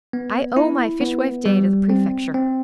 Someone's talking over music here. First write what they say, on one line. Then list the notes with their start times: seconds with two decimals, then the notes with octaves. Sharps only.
"I owe my fishwife day to the prefecture."
0.13 B3
0.57 E4
1.01 B3
1.46 G3
1.90 C4
2.34 C4